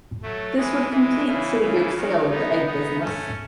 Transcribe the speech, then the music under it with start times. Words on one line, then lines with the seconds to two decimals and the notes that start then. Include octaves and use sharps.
This would complete Citigroup's sale of the Egg business.
0.22 F#3 A3
0.57 E3 G#3
0.91 E3 G#3
1.26 C#3 E3
1.61 C#3 E3
1.96 D#3 F#3
2.31 B3 D#4
2.66 B3 D#4
3.00 A3 C#4